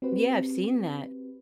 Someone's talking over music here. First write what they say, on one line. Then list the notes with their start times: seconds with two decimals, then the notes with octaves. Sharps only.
Yeah, I've seen that.
0.02 C4 F#4 G4 B4 C5